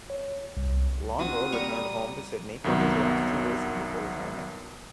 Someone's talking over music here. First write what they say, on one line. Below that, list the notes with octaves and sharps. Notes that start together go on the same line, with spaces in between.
Lonhro returned home to Sydney for his last two races before retirement.
C#5
C2
C4 F4 F#4 D#6
G3 A#5 C#6
C2 F#2 D#3 F#3 B3